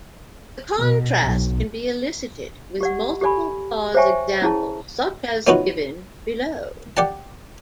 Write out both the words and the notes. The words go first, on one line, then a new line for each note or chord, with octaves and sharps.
The contrast can be elicited with multiple clause examples such as given below.
B2
B1
G4 D5 F#5
G4 A4 D5 G#5 B5
C5 C#5 E5 G5 G#5 C#6
C#4 E4 G#4 A5
A3 B3 C#4 D#4 F4 F#4
G4 D5 F#5 A5